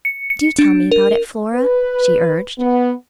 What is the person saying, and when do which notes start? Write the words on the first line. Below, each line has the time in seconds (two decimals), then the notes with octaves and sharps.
"Do tell me about it, Flora," she urged.
0.05 C#7
0.30 C#7
0.59 D4
0.92 A#4
1.54 B4
2.58 B3